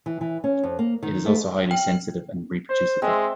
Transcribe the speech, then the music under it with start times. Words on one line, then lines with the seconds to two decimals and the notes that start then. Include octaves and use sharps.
It is also highly sensitive and reproducible.
0.06 E3
0.21 E3
0.44 C#4
0.63 F2
0.79 A#3
1.03 D#3
1.26 A3
1.71 G5
2.70 C5
3.02 G#3 C4 E5